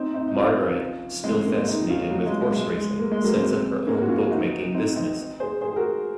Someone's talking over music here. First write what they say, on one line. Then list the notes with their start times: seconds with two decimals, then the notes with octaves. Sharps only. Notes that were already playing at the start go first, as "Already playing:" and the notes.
Margaret, still fascinated with horse-racing, sets up her own bookmaking business.
Already playing: C4 D#4
0.14 C4 D#4
0.28 D#4
0.36 C#4 F4
1.24 G#3 C4
1.45 A#3 C#4
1.68 C4 D#4
1.90 C#4 F4
2.11 F#3
2.26 G#3
2.41 G#3
2.55 G#3
2.77 G#3
2.99 A#3
3.12 G#3
3.24 F#3 A#3
3.36 C#4
3.43 G#3 C4
3.87 A#3 C#4
4.02 F#4
4.09 C#4 F4
4.31 D#4 F#4
4.74 C4 D#4
4.96 C4 D#4
5.40 G#4 C5
5.61 G#4 C5
5.73 G#4
5.76 F#4 A#4